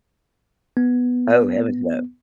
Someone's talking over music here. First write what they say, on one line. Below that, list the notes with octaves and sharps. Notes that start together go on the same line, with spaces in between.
Oh, heavens no.
B3